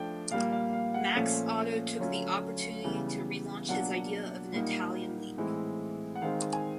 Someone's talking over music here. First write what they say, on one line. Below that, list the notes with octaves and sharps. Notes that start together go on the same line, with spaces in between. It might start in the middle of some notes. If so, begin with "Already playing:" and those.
Max Otto took the opportunity to relaunch his idea of an Italian league.
Already playing: F3 A3 D4 G5
A#2 G3 A#3 F5
F5
F5
F#5
A#2 F3 A3 C#4 F5
D3 F#3 A3 C#4 F4
C#3 E3 G3 B3
B2 F#3 A#3 D4 F4 F#5
A#2 G3 A#3 D#4
A2 E3 G#3 C4 E4
F#5
D#3 G#3 C4 F5
G#5